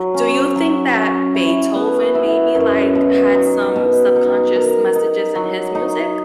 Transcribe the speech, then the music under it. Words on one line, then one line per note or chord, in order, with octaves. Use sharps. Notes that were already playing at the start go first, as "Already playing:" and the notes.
Do you think that Beethoven maybe like had some subconscious messages in his music?
Already playing: F#3
C#4
F#3
C#4
E4
B3
E4
F#2
B2
D#4
B2
D#4
A#4
D#4
F#3
D#4